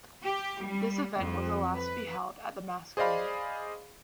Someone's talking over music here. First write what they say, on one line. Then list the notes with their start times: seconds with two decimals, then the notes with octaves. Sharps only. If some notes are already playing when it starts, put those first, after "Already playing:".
This event was the last to be held at The Masquerade.
0.23 G4
0.63 G3
1.17 F2
1.74 B4
2.97 G#4 C5 D5 D#5 F5 B5